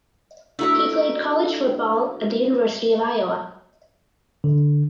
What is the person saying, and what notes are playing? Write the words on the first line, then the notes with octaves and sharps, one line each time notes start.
He played college football at the University of Iowa.
A3 D4 E4 F#4 A#4 E5
D3